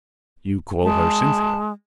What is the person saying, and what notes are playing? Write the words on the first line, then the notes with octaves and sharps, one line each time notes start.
"You call her Cynthia?"
G#3 A5